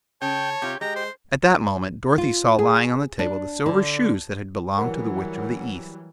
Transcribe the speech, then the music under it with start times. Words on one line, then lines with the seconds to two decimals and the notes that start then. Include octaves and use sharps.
At that moment Dorothy saw lying on the table the silver shoes that had belonged to the Witch of the East.
0.22 C#3 C#5 G5 A5
0.62 C3 F4 G4
0.81 G#3 G4 D#5 A#5
0.96 C5
2.18 F4
2.59 G#4
3.19 D4
3.66 D3
4.78 E3 F#3 G3 A#4 F#5